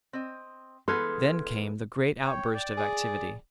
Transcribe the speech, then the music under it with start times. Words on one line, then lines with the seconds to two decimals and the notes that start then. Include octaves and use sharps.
Then came the great outburst of activity.
0.13 C4 D#5
0.88 E3 G#3 B3 A4 C6 F6 G#6
2.25 C#5 G5
2.55 D5
2.78 G#4